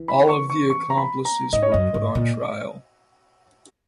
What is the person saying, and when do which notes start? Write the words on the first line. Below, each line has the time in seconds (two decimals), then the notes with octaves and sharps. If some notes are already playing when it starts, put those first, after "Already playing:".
All of the accomplices were put on trial.
Already playing: E3
0.08 B5
0.29 C#6
0.50 C#6
0.70 C#6
0.90 A#5
0.97 B5
1.25 A#5
1.53 G#2 D#5
1.63 C#5
1.72 F#2 D#5
1.94 G#2
2.15 A#2